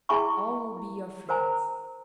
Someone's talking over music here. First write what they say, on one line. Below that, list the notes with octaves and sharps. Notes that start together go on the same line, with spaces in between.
All will be your friends.
E4 G#4 E5 G#5 B5 C#6
E4
A#4 C5 G#5 A#5